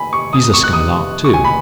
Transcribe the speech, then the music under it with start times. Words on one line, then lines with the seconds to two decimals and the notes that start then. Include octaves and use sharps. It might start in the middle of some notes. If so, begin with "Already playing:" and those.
He's a Skylark too.
Already playing: G#5 B5
0.13 C#6
0.33 D#6
0.43 D#6
0.54 C#6
0.64 F#6
0.73 D#6
1.24 C#6
1.34 G#5
1.44 B5